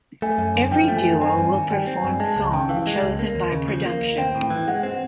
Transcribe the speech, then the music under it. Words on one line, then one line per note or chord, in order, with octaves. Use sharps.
Every duo will perform song chosen by production.
A3 G#5
F#2
D3
F3 G5
A3
G#5
F#2
C4 G#5
G2
D#3
G3 G5
C4
G#5
G2
G#3 A5
C#2
C#3 G5
E3 F5
G#3
C#2
A#3
D#2
C#3
F3
A#3
D#2
C4 G5
A2
G5
E3
G#3 F#5
C4